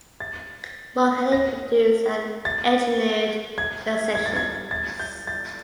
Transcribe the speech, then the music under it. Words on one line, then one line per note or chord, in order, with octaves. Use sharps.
Mark Henning produced and engineered the sessions.
A6
A#6
A6
G#6
G#6
A6
G#6
A6
G6
A6